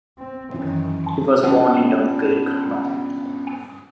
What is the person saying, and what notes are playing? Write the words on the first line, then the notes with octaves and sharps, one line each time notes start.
He was born in Dunkirk, Nord.
C4
F#2 D#3 E3 C#4
B3 C#4 D4 F4 G4